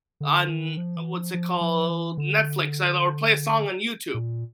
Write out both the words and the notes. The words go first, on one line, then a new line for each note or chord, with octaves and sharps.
on what's it called, Netflix, or play a song on YouTube.
D3
D#3
F3
E3
F3
F3
F3
E3
D3
A#2